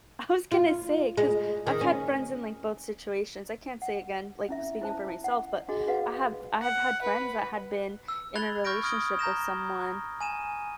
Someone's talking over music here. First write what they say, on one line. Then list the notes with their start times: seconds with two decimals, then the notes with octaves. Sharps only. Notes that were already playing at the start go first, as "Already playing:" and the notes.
I was gonna say, 'cause I've had friends in, like, both situations, I can't say again, like, speaking for myself, but I have I have had friends that had been in a relationship with someone
0.52 F4
1.17 G#3
1.67 D#3
1.81 C#4
3.82 F#5
4.49 C#4 E4 E5
4.81 E4 C5 A5
5.24 F#5
5.68 D4 F#4 G#4 D#5
5.87 F#4 B4 F5 F#5
6.62 F#5
7.02 B4
8.08 E6
8.35 B5 F#6 G#6 A6 F7 G7
8.65 C#6 F6 G6 A#6 D7
8.83 D#6 F6 G#6 D7 G7
9.19 A#5 G6 A#6 E7
10.21 G#5 D#7 E7